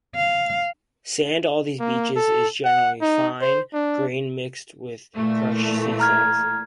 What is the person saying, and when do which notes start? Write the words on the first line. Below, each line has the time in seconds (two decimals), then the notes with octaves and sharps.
Sand all these beaches is generally fine grain mixed with crushed sea shells.
0.16 F5
1.80 A#3
2.16 A4
2.65 F#5
3.01 D#4
3.41 C5
3.74 D4
5.16 A#2 E3 A3
6.00 A#5 F6 G#6